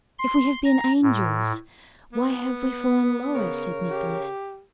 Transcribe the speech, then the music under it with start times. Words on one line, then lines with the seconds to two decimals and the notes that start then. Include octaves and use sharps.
"If we have been angels, why have we fallen lower?" said Nicholas.
0.19 C6
0.64 A#5
1.02 A2
2.13 B3
3.35 C#3 A#4 C#5
3.90 G4